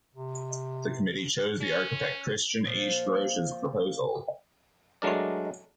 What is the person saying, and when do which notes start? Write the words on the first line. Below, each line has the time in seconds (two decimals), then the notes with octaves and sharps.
The committee chose the architect Christian H. Grosch's proposal.
0.15 C3
1.61 C#4
2.65 A#2 F3
5.02 F#3 G#3 A3 D4 A#4 D5